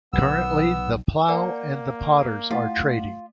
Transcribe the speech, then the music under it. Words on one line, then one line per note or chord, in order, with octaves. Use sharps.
Currently The Plough and The Potters are trading.
B1 B3 E6
A#3 A#4 D5 F#5 A#5
A3 E4 F4 F#5